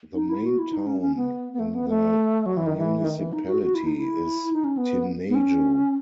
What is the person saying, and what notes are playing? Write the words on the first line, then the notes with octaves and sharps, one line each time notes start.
The main town in the municipality is Tinajo.
D#4
E4
F#4
E4
D#4
C#4
C#4
B3
B3
A3
B3
A3
F#3
E3
D#3
E3
D#3
E3
D#4
F#4
F#4
E4
D#4
E4
D#4
C#4
B3
B3
C#4